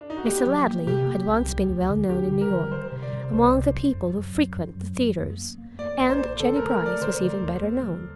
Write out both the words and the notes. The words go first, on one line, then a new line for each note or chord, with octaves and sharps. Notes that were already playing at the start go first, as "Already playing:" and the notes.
Mr. Ladley had once been well known in New York among the people who frequent the theaters, and Jennie Brice was even better known.
D4
D#4
F#4
A#3 G4
F#3
A#3
C3 G4
A#3
C2
G3
D2
D3
D4 G4
D3
A#4
G3
G3 C5
C3
D5
C3
C2 C5
C3
G3
F#2
F#3
F#2
F#2
F#3
F#2
A#3
A#3
A#3
A#3 D5
A#1
C5
A#3
D3 A4
A3 A#4
A#4
A3 D5
D3 C5
D3
D#2
A#3
G3